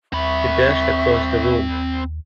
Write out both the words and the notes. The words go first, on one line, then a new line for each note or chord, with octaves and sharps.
He dashed across the room.
D#2 C4 E5 B5 C#6